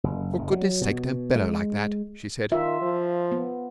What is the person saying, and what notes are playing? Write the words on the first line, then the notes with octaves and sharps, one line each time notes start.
'For goodness' sake don't bellow like that!' she said.
F#1
F#1
F#3
B2
G#3
D#3 F4 E5
F3
B3